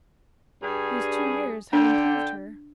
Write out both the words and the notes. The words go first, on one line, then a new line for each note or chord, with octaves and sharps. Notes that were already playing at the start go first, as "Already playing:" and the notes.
These two years had improved her.
G2 G#4
D3 D4 G5